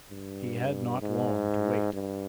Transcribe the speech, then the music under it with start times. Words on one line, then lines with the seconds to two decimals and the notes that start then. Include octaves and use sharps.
He had not long to wait.
0.11 G2
1.02 G#2
1.93 G2